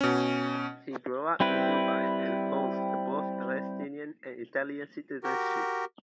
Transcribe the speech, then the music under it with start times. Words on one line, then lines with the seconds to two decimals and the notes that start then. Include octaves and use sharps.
He grew up in Dubai and holds both Palestinian and Italian citizenship.
0.01 B2 C#4
1.40 G3 C4 E4 B4
5.23 F#4 G4 A#4